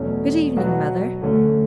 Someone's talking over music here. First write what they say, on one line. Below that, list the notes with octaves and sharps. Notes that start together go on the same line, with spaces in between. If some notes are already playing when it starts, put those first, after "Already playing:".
'Good evening, Mother.'
Already playing: E2 B2 F#3 A3 C#4
B2 F#3 B3 F#4
D2 D3 A3 C#4